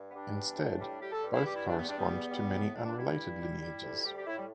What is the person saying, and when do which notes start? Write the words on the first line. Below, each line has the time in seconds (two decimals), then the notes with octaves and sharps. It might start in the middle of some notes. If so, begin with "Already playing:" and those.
Instead, both correspond to many unrelated lineages.
Already playing: G2
0.09 B3
0.14 G3 D4
0.36 E2
0.58 A2
0.80 G3
1.00 G3 G4
1.12 A4
1.23 G2
1.34 E4
1.44 G3 G4
1.55 E4
1.65 E2 D4
1.77 B3
1.88 G3 D4
1.97 B3
2.09 E2
2.31 G3
2.53 A2
2.74 G2 D4
2.85 D4
2.96 G3 E4
3.07 E4
3.17 G2
3.40 G3
3.61 G3
3.83 D2
4.04 G3 G4
4.16 G4
4.26 A2 E4
4.37 G3